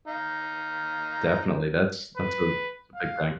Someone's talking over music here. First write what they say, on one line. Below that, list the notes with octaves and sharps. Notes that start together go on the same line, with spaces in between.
Definitely, that's that's a that's a big thing.
D#4 F5
B4
F5